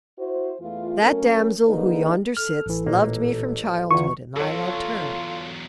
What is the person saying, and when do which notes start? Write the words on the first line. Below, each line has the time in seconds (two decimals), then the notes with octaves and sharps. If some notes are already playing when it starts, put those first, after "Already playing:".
That damsel who yonder sits, loved me from childhood and I loved her.
0.19 E4 F#4 C5
0.60 E2 E3 A3 F4
1.02 F#3 A3 C#4 A#4
1.65 D3 A#3 D#4 G#4 B4
2.37 A4 F6
2.66 A1 E3
2.86 A1 A#2 A#3
3.91 E2 D3 E3 F4 G#5 C#6
4.36 E2 F#3 F4 A4 C#5